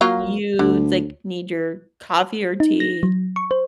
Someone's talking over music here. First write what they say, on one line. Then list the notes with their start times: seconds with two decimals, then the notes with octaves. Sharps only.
You, like, need your coffee or tea?
0.01 F#3 A#3 F4
0.59 D2 D3
2.60 D#4
2.80 A#6
3.03 F#3
3.36 C#6
3.51 C5